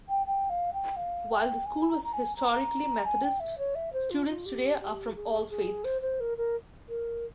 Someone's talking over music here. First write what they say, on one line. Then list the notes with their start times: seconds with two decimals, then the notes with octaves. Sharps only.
While the school was historically Methodist, students today are from all faiths.
0.08 G5
0.26 G5
0.49 F5
0.73 G5
0.96 F5
1.31 G5
1.65 G#5
1.89 A#5
2.04 A#5
2.13 G#5
2.36 A#5
3.05 G#5
3.23 G5
3.40 E5
3.58 C#5
3.75 E5
3.93 C5
4.10 F4
4.28 F4
4.45 G4
4.80 G4
5.15 G#4
5.50 G#4
5.84 C5
6.01 C5
6.20 A#4
6.37 A#4
6.88 A#4